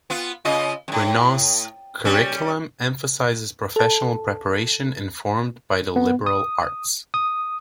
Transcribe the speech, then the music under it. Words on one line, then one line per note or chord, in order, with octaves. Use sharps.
Brenau's curriculum emphasizes professional preparation informed by the liberal arts.
B3 F4
C#3 F4 D#5
F2 A2
G3 C#4
A4 A5
B3
D#6
D#6